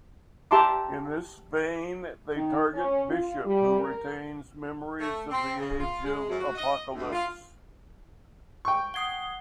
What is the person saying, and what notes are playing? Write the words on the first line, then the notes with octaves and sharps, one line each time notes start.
In this vein, they target Bishop, who retains memories from the Age of Apocalypse.
G4 E5 A5 A#5 C6 D6
D#3
C#4
F4
G3
A#4
A3
C4
C#3
F4
G#3
F#2
F#4
D#5
D2
F4
G5 C#6
F#5 D#6 G#6 C7 G7